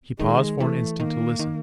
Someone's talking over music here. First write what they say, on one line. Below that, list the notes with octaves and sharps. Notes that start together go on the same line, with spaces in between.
He paused for an instant to listen.
D#3 G#3
E3 A3
D#3 A#3
D#3